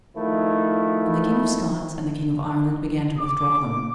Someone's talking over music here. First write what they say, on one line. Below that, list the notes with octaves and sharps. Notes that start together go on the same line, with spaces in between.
And the King of Scots and the King of Ireland began to withdraw them.
D#3 F3 A3 E4
D6